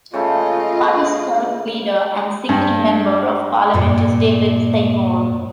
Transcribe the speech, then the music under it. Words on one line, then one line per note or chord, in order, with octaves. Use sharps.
The party's current leader and single member of parliament is David Seymour.
C#3 A3 F4 D#5
G2
G2 A#2